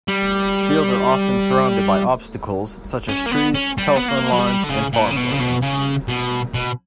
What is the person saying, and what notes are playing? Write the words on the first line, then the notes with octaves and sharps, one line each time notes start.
Fields are often surrounded by obstacles such as trees, telephone lines, and farm buildings.
G3
C#4
A#3
B3
C#4
G3
B3
A#3
F#3
G3
D3
C#3
A#2
C#3
B2
C#3
B2
C#3
B2
B2